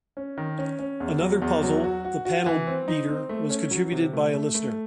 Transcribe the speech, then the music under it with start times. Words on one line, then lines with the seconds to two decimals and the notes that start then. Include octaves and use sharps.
Another puzzle, the Panel Beater, was contributed by a listener.
0.17 C#4
0.38 D#3
0.59 C#4
0.79 C#4
1.00 E2
1.21 F#3
1.42 E2
1.63 F#3
1.84 F#4
2.05 F#4
2.25 F#4
2.46 E3
2.67 C4
2.88 D#4
3.09 C4
3.29 A3
3.50 C#4
3.71 F#3
3.92 C3
4.13 A3
4.34 A3
4.55 A3